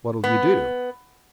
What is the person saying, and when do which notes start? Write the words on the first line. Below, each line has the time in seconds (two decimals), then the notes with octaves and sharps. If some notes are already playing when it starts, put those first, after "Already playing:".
"What'll you do?"
0.24 B3